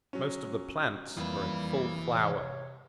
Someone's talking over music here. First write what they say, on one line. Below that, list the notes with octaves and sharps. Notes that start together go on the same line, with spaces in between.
Most of the plants are in full flower.
F#3 C#4
F2 E3 G3 A#3 B4
C3 C#5